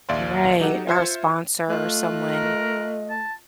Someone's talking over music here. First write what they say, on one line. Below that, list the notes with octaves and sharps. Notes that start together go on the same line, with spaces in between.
Right. Or a sponsor or someone.
A#1 D#2 D5 E5 F5 C6
F#3 D#4 G4 A4 F#5
F4 C5 E5 C6 G#6 C#7
A3 F4 D#5 F#6
A#4
A5